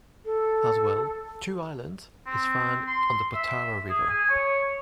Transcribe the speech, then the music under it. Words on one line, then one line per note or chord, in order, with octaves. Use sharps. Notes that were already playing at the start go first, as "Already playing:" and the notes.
As well, 'Two Islands' is found on the Potaro River.
A4
C4
C6
E5
G#4
G#5
C#5